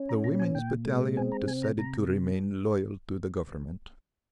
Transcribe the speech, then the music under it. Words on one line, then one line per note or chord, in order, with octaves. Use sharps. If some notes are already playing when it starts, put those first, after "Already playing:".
"The Women's Battalion decided to remain loyal to the Government."
Already playing: C#4
A#5
A#2 A#5
G#5
A#2 G5
G#3
C4 G#5
A#5
C3 G#5
A#5
C3 A#5